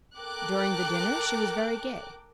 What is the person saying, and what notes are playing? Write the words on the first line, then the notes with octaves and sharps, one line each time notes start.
During the dinner she was very gay.
A4 A#4 G5 D6 F#6